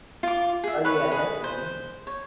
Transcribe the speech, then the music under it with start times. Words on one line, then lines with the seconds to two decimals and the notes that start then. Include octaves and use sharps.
Oh, yeah, definitely.
0.23 F4 D6
0.64 G#4 E5
0.85 B4 C#5 B5
1.11 G#4 B4
1.44 C5
2.07 C#5